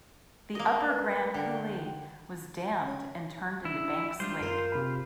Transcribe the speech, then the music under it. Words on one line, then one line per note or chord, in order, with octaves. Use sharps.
The Upper Grand Coulee was dammed and turned into Banks Lake.
A#3 D#5
B4
D3 G5
C#5 G#5
D4 E4
G3 G#3 D4 F4 C5
F#2 A#4 C7 D7
C3 B5